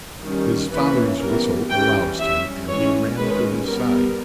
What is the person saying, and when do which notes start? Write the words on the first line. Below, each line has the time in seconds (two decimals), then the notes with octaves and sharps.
His father's whistle aroused him, and he ran to his side.
0.22 D#3 G3 C#4
0.71 E3 A#3 C#4 B4
1.21 E3 G3 B3 A#4
1.70 E3 G3 C#4 G5
2.19 G3 C#4 E5
2.68 E3 G#3 C#4 C#5
3.17 D#3 G#3 C#4 B4
3.66 G3 B3 A#4